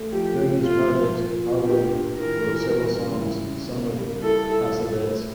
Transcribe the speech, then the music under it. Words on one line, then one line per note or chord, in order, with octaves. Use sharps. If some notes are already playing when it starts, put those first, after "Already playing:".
During these projects, Harwood wrote several songs, some with Cassavetes.
Already playing: A3
F3 G4
A3
A3 F4
F3
A#2
A#2
D4 G4
A#2
E3 A#4
E3
G3
C#3
E4
C#3
A#3
G3
E4 A4
E4
A#2
A3